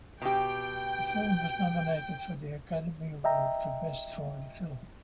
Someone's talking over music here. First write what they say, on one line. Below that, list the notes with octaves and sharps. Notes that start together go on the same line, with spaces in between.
The film was nominated for the Academy Award for Best Foreign Film.
B2 G4 G5
D#5 E5 G5 A#5